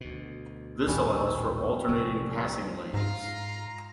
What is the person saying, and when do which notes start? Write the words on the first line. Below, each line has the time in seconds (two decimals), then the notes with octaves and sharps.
This allows for alternating passing lanes.
0.01 D2 B2
0.87 A#1 D#2 A2 G3 C#4
1.88 C2 A2 F3
2.94 G#2 F4 F5 A#5